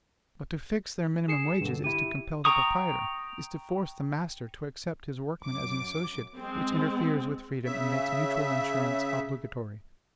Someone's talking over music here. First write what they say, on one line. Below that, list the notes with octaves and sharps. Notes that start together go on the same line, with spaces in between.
But to fix their minimum wages is to compel the proprietor, is to force the master to accept his workman as an associate, which interferes with freedom and makes mutual insurance obligatory.
G#4 C7 C#7 E7
G2 D3
E4 G4 D#7
G5 A#5 C#6 D#6
F#2 D6
G#3 C4
C#3 E5